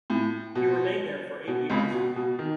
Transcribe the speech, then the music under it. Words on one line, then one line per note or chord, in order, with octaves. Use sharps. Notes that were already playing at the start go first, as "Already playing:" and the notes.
He remained there for eight years.
A2
B2
B2
C#2 C#3
B2
B2
D#3